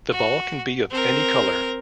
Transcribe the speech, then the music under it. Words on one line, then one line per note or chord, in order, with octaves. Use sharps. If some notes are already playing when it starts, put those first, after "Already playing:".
The ball can be of any colour.
F#4
C4 A#4